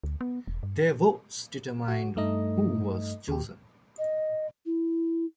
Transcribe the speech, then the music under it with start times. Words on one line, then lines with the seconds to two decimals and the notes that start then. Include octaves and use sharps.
Their votes determined who was chosen.
0.04 D2
0.21 B3
0.47 E1
0.63 G2
1.88 F#4
2.16 G2 A3 D#4 D#5
3.28 D#2 G4
3.98 D#5
4.66 E4